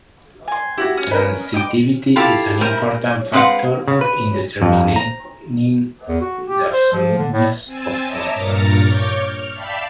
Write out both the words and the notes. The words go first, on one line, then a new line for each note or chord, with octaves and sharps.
Transitivity is an important factor in determining the absoluteness of formulas.
G#5 C6
E4 F#4 G4 F#5
C#4
A#4 B4
D#5 G5 D6
E4 F4 G4 A4 F5
A#4 C5 G#5
G#3 C4 D4 B4 F5 F#5
C#3
B4
F2
A#5
E2
F#4
G4
C5
F3
D3
A2
C4 G#5 E6 A6
C#5 D#5 E5 A5 A#5 D6
G2 A#2 A#4 A#5 A6 C#7
C#5 C#6 D6 G6
F6
D5 E5 F5 G5 A5 B5